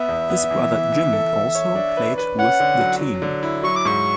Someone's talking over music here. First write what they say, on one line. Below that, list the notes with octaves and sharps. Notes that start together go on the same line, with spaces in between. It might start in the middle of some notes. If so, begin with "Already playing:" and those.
His brother Jimmy also played with the team.
Already playing: B3 E5
E2
B3
E3
E3
E3
A4
A4
C#5
D4
B4
B4
C#4 F#5
D3
F#3
F#3
D3
E4
F#3 C#6
D6
G#2 C#6